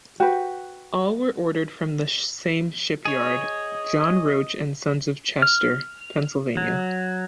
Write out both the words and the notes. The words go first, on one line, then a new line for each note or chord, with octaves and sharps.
All were ordered from the same shipyard, John Roach and Sons of Chester, Pennsylvania.
F#4 B4 G5
G#4 C#5 D#5
F6
F#3